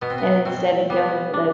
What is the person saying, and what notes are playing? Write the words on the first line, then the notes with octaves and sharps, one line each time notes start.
and instead of going to the
B2 B3
C4
B3
B2 C4
G3 B3
D4